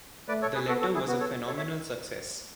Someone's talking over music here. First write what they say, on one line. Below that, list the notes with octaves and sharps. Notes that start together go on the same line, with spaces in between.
The letter was a phenomenal success.
A3 B4 D5
A4 C#5
G#4 B4
B3 F#4 A4
F#4 A4
E4 G#4
B3 F#4
A4 C#5
A4 C#5
C#5 E5